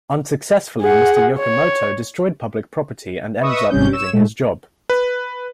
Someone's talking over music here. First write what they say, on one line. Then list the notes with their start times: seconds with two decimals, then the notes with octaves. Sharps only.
Unsuccessfully Mr. Yokomoto destroyed public property and ends up losing his job.
0.81 G#4 F#5
1.39 C#5
3.40 B4 D#5 E5 C#6 D#6 E6
3.70 G#1 C3 G3 C#4 G6
3.93 C#5 E6 E7
4.13 A#2 G#3 A3
4.90 B4